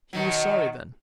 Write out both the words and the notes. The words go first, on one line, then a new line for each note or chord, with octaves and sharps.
He was sorry then.
B2 D#3 F#3